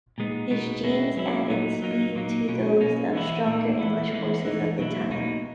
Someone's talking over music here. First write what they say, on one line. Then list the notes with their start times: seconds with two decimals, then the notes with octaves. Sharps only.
His genes added speed to those of stronger English horses of the time.
0.18 A#2 G#3 B3 D#4
0.51 B2 G#3 B3 D#4
0.83 B2 G#3 C#4 E4
1.17 F#3 C#4 E4
1.49 A#2 F#3 B3 D#4
1.82 F#3 A#3 D#4
2.15 A#2 F#3 A#3 D#4
2.48 B2 F#3 C#4
2.81 B2 A#3 C#4
3.13 E3 B3 E4
3.47 A#2 A#3 D#4
3.79 E3 B3 E4
4.11 E3 G#3 B3 E4
4.45 E3 G#3 D#4
4.78 B2 F#3 A#3 E4
5.11 B2 A#3 D#4